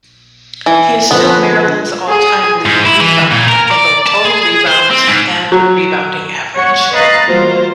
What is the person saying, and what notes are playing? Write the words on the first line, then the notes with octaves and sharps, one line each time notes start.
He is still Maryland's all-time leading rebounder, in both total rebounds and rebounding average.
E3
D3 F3 B3 B4
G#4
G#2
E4
E3
A#2
A#4
D5
A5
G#4
C5
C4
G#2
F#3
C#5 F#5 C#6
B4 D#5 F5 A#5 F#6 A6
E3 F#3 G3 A#3 F4 C5